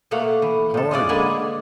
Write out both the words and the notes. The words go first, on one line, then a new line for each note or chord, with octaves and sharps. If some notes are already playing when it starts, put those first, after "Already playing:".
"How are you?"
B2 A3 A#3 F5 F#5
E3
A2 A4
G#3 C#4 F4 D5
D3 G#3 A#3 B4 F#5 G#5